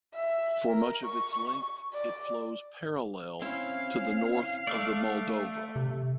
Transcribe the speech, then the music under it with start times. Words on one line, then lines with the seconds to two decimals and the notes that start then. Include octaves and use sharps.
For much of its length it flows parallel to the north of the Moldova.
0.14 E5
0.68 A#4
1.06 C#6
1.94 D5
3.42 C4 C#4 E4 F5
4.67 A3 D5 E5 D6
5.76 C3